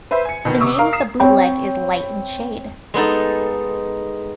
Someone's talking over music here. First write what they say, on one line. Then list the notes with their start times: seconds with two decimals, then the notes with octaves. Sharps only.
The name of the bootleg is "Light and Shade".
0.11 B4 C5 E5
0.25 G#5 C#7
0.45 B2 D#3 B3
0.60 C3 C#6 D#6 E6
0.78 A#4 F5
0.93 D#6 C7 E7
1.20 C4 C#5 G5 B5
2.94 G#3 B3 D#4 A4